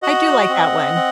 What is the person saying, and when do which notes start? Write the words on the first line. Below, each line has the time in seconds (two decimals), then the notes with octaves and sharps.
I do like that one.
0.02 F#4 D#5 F#5
0.49 C4
0.95 C4